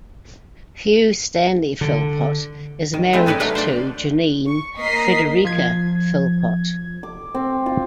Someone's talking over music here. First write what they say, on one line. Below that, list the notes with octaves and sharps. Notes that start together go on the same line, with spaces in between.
Hugh Stanley Philpott is married to Janine Frederica Philpott.
D3
D#3
G#3 A3 C4 E4
D4 D#4 B4 C#5 D5
F#3 A3 D4 A#4 B4 F5
C5 D5
C#6
A#3 A#4 D#5 B6 C7
F3 G#6
D6
C4
F4